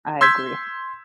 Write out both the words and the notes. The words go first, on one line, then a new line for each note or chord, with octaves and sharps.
I agree.
C6 E6 G6 G#6 B6